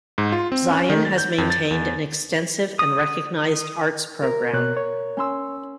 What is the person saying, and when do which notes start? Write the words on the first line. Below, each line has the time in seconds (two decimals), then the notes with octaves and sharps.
Zion has maintained an extensive and recognized arts program.
0.18 G#2
0.32 F4
0.52 C4
0.70 C#4
0.90 D#3
1.05 A6
1.18 G6
1.38 F2
1.50 A6
1.71 E2
2.79 D#6
4.22 A#4
4.53 B2 C#5 F#6
4.77 C#5
5.17 C#4 C6 E6